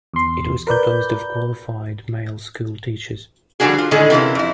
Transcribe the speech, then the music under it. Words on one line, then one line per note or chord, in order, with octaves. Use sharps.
It was composed of qualified male school teachers.
E2 C6
A#4 B4 D5 G6
D3 F3 G3 D4 F#4 G#4
F4
A2 D3 D#3 G#3 G#4 A4
C3 E3 A#3 C#4
F2 E4